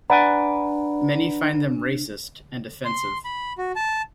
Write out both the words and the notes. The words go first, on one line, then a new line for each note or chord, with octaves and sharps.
Many find them racist and offensive.
D4 B4 D5 F#5 G#5 A#5 B5
C6
B5
F#4
A5